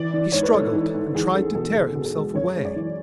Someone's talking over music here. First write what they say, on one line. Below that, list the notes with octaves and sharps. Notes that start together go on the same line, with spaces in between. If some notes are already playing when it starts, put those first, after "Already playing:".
He struggled, and tried to tear himself away.
Already playing: E3 D5
E3
G#2 C#5
B4
G#2 A4
E3
G#2
E2 G#4
C#4 A4
B2 A4
B2 G#4
B2
A4
G#3
F#2 C#5
G#3
D5
E3